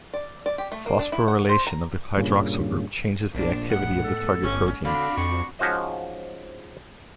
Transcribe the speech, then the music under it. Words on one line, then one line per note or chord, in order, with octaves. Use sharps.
Phosphorylation of the hydroxyl group changes the activity of the target protein.
D5
D5
G4
A3
A#3
D4
E4
F#5
C5
A#5
G2 A#2 C#3
A#1 F3 A#3 D4
A2 G#3 B3 F#5
A4
G1 C#4
D3 C4 D4 F#4 D5 F5 B5
F2 C#6
G#2 F3 C#4 F#4 C5 D#5